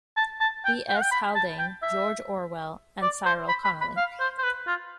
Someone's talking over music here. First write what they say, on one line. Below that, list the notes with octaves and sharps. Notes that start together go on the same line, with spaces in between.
B. S. Haldane, George Orwell and Cyril Connolly.
A5
A5
G5
G5
F5
G5
B5
A5
G5
E5
D5
C5
B5
B5
B5
F5
C5
C5
B4
F4